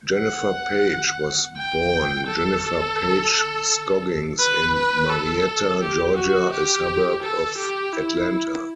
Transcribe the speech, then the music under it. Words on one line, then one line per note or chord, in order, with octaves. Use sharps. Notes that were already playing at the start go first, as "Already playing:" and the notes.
Jennifer Paige was born Jennifer Paige Scoggins in Marietta, Georgia, a suburb of Atlanta.
F#5
G5
A4
B4
B4
A4
G4
F#4
G4
A4
G4
E4